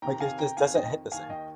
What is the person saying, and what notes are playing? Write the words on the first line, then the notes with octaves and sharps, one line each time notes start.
Like, it just doesn't hit the same.
F2 C3 D#3 G5 A#5
F5 G#5
G5 A#5
F2 D#3 F5 G#5
D#5 G5
D#2 D#3 F5 G#5
D#5 G5